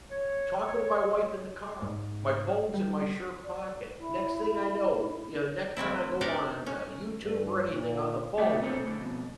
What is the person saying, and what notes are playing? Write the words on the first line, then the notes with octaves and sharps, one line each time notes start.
talking to my wife in the car, my phone's in my shirt pocket, next thing I know you know, next time I go on, uh, YouTube or anything on the phone
C#5
G#2
G3
D5
E4
F3 A3 C4 E4
D4 D#4 G4 A#4 D5
C#4
G2
A#2
A3 F#4 G4 D5 E5 F#5
C4 D4 A4 C5 C#5
A2 D3
F2 B2